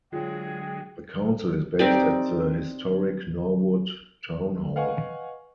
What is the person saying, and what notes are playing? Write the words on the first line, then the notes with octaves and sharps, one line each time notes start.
The council is based at the historic Norwood Town Hall.
D3 F#3 G#3 F4 G#4 C#5 G5
C4 D#4 G4 D5
B4 D#5 F5 F#5 G#5 C#6